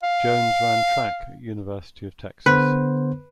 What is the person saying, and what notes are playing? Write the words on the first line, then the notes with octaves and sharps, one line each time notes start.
Jones ran track at University of Texas.
F5
D3 B3 B4 C5